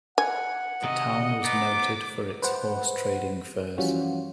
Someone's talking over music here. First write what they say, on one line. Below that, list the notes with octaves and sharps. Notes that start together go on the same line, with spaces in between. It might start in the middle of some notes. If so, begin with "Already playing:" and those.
The town was noted for its horse trading fairs.
F#5 G#5
C3 D#3 D#5
B3 D#4 D6
B4 C5 F#5
E3 F3 G3 C#4 F4 F#4